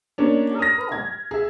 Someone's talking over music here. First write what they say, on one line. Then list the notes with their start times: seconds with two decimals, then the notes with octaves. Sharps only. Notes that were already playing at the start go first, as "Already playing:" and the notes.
Oh, cool.
0.18 A#3 C#4 D4
0.59 D#6 F6 A#6
0.92 G#6
1.31 G#4 E5